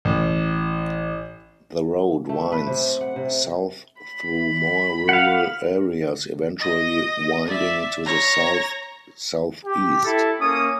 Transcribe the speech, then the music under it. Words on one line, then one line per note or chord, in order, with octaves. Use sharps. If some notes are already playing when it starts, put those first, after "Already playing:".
The road winds south through more rural areas, eventually winding to the south-southeast.
A1
A3
B4
C3
C4
F#5
C3
B5
F5 F#5
D#5
D5 E5
C#5 A#5
G4
E4 A4
A#3 C#4 D#6